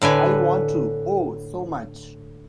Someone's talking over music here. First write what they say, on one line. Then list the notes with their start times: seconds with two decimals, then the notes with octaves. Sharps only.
I want to, oh, so much!
0.02 A2 D3 B4 G#5